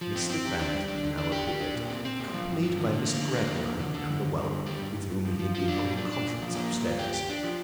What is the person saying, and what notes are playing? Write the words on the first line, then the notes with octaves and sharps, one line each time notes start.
Mr. Bounderby now appeared, accompanied by Mr. Gradgrind and the whelp, with whom he had been holding conference up-stairs.
F3
C4
C4
G4
D4
G3
D4
D3
D4
G4
G4
D4
A#2
C4
C4
A#2
F3
G2
F3
D3
D3
A#3
D3
A#3
F2
D3
D3
D3
G2
G2
D3
G2
G3
G2
G2
G2
F3
F3
F4
D4
A#2
D4
D4
A#2
F3
A#3
G2
F4
G4
G4
D4
F3